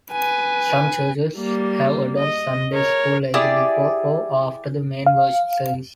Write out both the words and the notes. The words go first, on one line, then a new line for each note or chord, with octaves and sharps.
Some churches have adult Sunday school either before or after the main worship service.
B4 G#5
G3 A#3
D#5
A#4 C#5
E4 G4 G#4 D5
F5